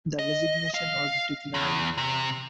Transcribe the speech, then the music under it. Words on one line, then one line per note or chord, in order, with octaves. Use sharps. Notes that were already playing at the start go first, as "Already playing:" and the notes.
The resignation was declined.
D#5
F5
E2
C3